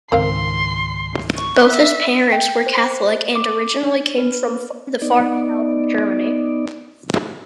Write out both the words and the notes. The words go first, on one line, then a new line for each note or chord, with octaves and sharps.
Both his parents were Catholic and originally came from the far south of Germany.
C#2 G#2 D#3 C4 A#4 F5 C6
C#6
E5
G5
C5
D6
D4
B4
B3 D#4 D5